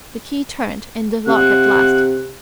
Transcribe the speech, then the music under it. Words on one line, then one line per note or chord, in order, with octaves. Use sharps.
The key turned in the lock at last.
C3 F#5